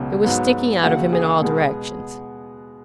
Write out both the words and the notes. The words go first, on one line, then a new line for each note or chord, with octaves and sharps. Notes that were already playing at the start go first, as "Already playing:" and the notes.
It was sticking out of him in all directions.
Already playing: C#2 B2 F#3
G#2 F#3 B3
D#2 C#3 F#3 F#5
G#4
B2 G#3 B3